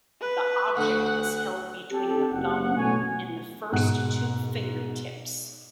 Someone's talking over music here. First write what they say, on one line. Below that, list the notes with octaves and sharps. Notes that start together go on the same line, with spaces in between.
The object is held between the thumb and first two finger tips.
B4
D2 F#4 F#5
C4 G4 A4
F#1 F#5
A1 B2 A3 C#5 G#5
G#2 B2 F#5 F#6